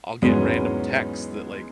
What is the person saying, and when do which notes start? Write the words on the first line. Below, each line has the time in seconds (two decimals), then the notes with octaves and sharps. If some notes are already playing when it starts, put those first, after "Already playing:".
I'll get random texts that like,
0.22 E2 G#2 F#3 G#3 B3 C#4